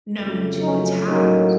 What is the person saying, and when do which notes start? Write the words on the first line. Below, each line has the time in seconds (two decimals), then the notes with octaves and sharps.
known to attacked.
0.19 F2 C#3 F#3 A3
0.62 C#4 D#4
1.06 A2 F#3 A#3 C#4 D#4